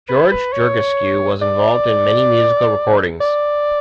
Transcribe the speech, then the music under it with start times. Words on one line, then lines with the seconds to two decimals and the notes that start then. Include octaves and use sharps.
George Georgescu was involved in many musical recordings.
0.09 B4
0.31 B4
0.53 C#5
1.42 D5
3.20 D5